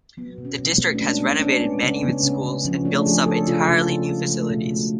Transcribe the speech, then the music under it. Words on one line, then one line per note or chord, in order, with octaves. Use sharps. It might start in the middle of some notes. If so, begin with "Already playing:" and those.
The District has renovated many of its schools and built some entirely new facilities.
F#3 B3
B2
C#4
B2
B3
A3
D4
G#3 C#4
G#3 B3
D4
G#3 C#4
G#3 B3
C#3 C#4
C#3 B3
C#3 C#4
C#3 C#4
F3 C#4
A3 D4
F3 G#4
F3 A4
C#3 F4
C#3
C#3
G#3
A3
B2
A3